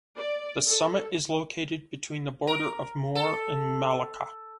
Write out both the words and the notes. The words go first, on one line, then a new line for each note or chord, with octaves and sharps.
The summit is located between the border of Muar and Malacca.
D5
A4
A#4
A4